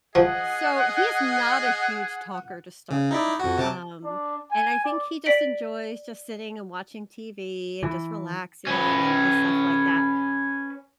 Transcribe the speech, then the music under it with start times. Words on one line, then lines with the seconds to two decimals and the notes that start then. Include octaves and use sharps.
So, he's not a huge talker to start with, um, and I think he just enjoys just sitting and watching TV and just relaxing and and stuff like that,
0.15 F3 G#4 D#5 F#5
2.90 C#3
3.11 D#4 E4 D5
3.39 F2 F#4
3.57 C3 A5 D6
4.04 D4
4.51 G#5
4.85 D5
5.26 D5 B6 D7 F#7
7.83 E3
8.67 C#4 B4